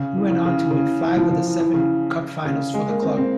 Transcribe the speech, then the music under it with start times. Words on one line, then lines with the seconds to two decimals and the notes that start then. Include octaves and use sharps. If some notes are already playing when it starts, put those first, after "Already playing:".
He went on to win five of seven cup finals for the club.
Already playing: C#3
0.17 E3
0.31 C#3
0.45 C#3
0.57 E3
0.71 C#3
1.02 E3
1.17 F3
1.31 F3
1.45 E3
1.60 E3
1.74 C#3
2.45 C#3
2.74 G#3
2.88 A#3
3.02 C4
3.17 C4